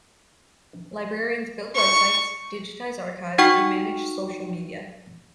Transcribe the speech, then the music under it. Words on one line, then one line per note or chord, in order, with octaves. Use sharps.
Librarians build websites, digitize archives, and manage social media.
C#6
D#4 F#4 F#5 G5 C#6 F6